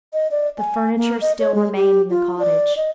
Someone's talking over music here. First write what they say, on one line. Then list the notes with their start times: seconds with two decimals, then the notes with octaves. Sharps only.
The furniture still remained in the cottage.
0.13 D#5
0.31 D5
0.58 G#5
0.96 A#3
1.21 D#5
1.40 C#5
1.54 G#3
1.76 G4
2.10 F4
2.39 D5
2.77 D#5